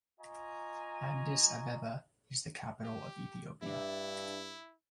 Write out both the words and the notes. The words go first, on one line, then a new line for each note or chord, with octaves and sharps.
Addis Abeba is the capital of Ethiopia.
F4 D#5 G#5 A#5 C#6
G4
G2 D4 E4 E5